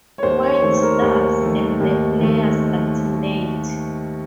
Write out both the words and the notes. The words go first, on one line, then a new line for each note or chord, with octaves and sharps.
White starts, and the players alternate.
C#5
D#2 C5
C#5
C#5
D#3 A3 C5
C5
A#4
D#2
D#3 A3
D#2
D#3 A3